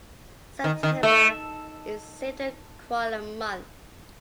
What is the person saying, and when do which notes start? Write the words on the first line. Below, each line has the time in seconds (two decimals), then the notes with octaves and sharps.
September is Save the Koala Month.
0.64 D#3
0.83 D#3
1.03 A3